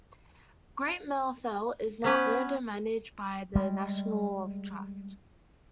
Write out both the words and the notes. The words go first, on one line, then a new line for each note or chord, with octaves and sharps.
Great Mell Fell is now owned and managed by the National Trust.
B3 C#4 B4 C5
G3 G#3